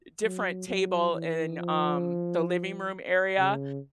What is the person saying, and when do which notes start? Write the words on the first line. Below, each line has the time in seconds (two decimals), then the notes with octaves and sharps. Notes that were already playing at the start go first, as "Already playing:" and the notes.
different table in, um, the living room area,
0.23 F#3
0.68 F#3
1.13 E3
1.58 F3
3.38 C#3